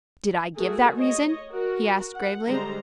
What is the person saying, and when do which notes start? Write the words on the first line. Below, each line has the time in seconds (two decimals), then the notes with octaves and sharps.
"Did I give that reason?" he asked gravely.
0.57 A3 F#4 G#4 A#4
0.96 C#5 D#5
1.51 F#4 A#4
2.14 F#5
2.48 D3 G3 G#3 C5 A#5